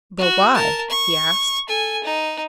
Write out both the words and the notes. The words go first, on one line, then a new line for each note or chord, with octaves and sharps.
"But why?" he asked.
F#4
A#4 A5
C#6
A4 G#5
D#4